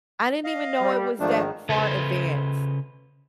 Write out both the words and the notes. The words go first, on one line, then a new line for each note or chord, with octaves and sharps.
I didn't even know it was that far advanced.
D#5 F5
G3
G#1 D#3 F3 A3 D4
C#3 A4 B4 C5